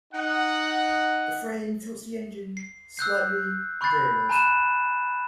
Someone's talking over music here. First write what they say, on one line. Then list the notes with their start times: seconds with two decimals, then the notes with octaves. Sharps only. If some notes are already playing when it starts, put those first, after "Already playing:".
The frame tilts the engine slightly rearward.
0.13 D#4 F#5
2.57 C7
2.97 E6 F#6 G6 C7
3.81 B5 C#6 F#6 G6 A6 C7
4.29 G#5 A#5 B5 F#6 D#7 E7